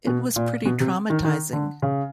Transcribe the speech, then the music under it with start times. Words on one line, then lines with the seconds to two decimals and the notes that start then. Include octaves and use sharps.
It was pretty traumatizing.
0.07 B2
0.36 A#2
0.66 B2
0.80 C3
1.10 D#3
1.25 D#3
1.53 D3
1.82 C#3